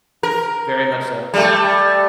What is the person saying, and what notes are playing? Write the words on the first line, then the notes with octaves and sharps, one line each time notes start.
Very much so.
A#4
G3 A3